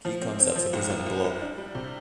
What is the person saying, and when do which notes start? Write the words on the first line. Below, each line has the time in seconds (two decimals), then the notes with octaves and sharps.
Key concepts are presented below.
0.05 F3
0.22 C4
0.39 C4
0.56 F3
0.73 C2
0.90 C2
1.06 C2
1.24 C2
1.41 D4
1.58 G3
1.75 C3